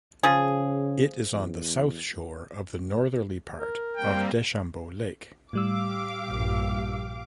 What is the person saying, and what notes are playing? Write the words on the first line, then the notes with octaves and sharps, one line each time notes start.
It is on the south shore of the northerly part of Deschambault Lake.
C#3 F3 G#4
E2
A#4
G3 A#3 C4 G5
A2 G3 G4 F5 D6 E6
A#1 G2